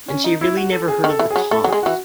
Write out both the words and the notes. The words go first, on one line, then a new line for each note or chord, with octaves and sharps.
And she really never heard of the cause!
C#4
D#4
E4
F#4
A4
G#4
D#3
A4
E3
G#4
F#3
A3 A4
F#3
G#3 G#4
E3 F#4